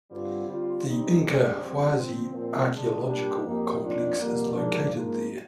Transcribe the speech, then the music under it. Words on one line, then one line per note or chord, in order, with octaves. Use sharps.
The Incahuasi Archeological complex is located there.
G2 D3 G3 C4 F4
D3 G3 C4 F4
D3 G3 C4 D#4
F2 D3 G#3 D4 G4
F2 D3 G3 C4
D3 F3 C4
A#2 F3 C4
D3 G#3 D4
A#2 G3 D4 G4
F2 D#3 A#3 D#4 G4
F2 D#3 A#3 D4 F4
F2 D3 G3 A#3
G#2 F3 A#3 D4
G#2 F3 A#3